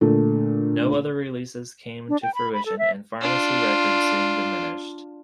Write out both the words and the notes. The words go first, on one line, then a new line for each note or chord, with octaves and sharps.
No other releases came to fruition, and Fharmacy Records soon diminished.
A#2 D3 A3
D4
G5
B5
B5
A4
E5
D4 F4